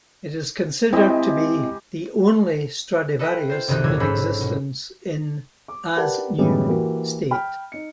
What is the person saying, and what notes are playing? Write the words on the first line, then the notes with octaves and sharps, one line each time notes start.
It is considered to be the only Stradivarius in existence in "as new" state.
E3 G#3 C4 E4 G4 D#5
A4 B4 D#5 E5 G5 A#5
F4 C5
F#1 C2 C3 D#3 D#4 F#6
F#1 D#2 A#2 F#3 E6 G#6
A1 G#2 C#4 C5 B5 E6
B2
D6
G4 A#4 B4 D5 F#5 A5
F#2 A2 E3 G3 G#3 B3
E3 A#3 F#4 G4
G5 B5 F6
D#4 C#7